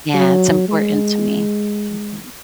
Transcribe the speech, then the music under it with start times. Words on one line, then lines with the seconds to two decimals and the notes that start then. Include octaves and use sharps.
Yeah, it's important to me, it's important.
0.14 F#3
0.68 G#3